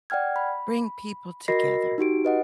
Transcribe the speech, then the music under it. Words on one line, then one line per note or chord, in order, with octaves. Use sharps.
bring people together?
D5 F#5 G5 F6 G#6
B5
F#4 A#4 D#5 B5 A#6 C7
D#4 F#4 G4 D7
B4 D#5 F#5